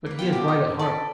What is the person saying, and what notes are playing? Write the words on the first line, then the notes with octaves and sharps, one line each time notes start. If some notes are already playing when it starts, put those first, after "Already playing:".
But he is right at heart.
A#3 B4
B2 F4 G5
G4
A#5
A4 B4 D5